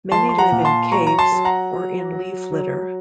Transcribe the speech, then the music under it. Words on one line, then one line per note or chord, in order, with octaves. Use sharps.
Many live in caves or in leaf litter.
F3 A5 C6
C6
F#5 A#5
A#2
A5 C6
F#3 A#5 C#6
A#5
A5 C6
F#3
F#5 A#5
F#3
F#3
F#3